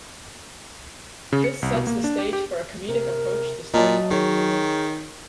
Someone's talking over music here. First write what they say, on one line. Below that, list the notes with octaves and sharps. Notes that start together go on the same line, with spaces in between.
This sets the stage for a comedic approach to storytelling.
C#3
C#7
C2
B2
A#3
D4
G4
G4
C3 A#4
A#2 F#3 D#5 A5
D#3 G#4 C#5